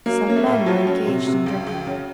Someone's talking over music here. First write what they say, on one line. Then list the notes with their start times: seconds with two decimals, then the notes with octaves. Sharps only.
Some men were engaged in drinking there.
0.06 F#3 A#3
0.27 A#3 C#4
0.36 A3
0.46 A2
0.66 F3 F#3
0.87 C#4
1.07 C3
1.27 C3
1.46 C#2
1.67 C#2
1.87 C#3